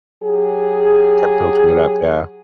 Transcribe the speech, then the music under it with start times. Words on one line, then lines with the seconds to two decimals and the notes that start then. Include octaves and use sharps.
Kept building it up, yeah.
0.23 F#3 G4 G#4